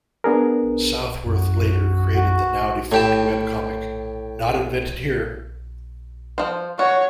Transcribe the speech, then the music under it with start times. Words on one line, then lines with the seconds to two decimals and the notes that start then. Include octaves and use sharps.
Southworth later created the now-defunct webcomic "Not Invented Here".
0.24 B3 D4 G#4 A#4
1.26 F#2 F#4
2.17 F#4
2.92 A2 G4 A5
6.38 F3 C5
6.79 F#4 C#5